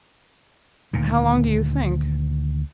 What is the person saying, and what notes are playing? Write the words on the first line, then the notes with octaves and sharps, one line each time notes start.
'How long do you think?'
D2 A#2 D#3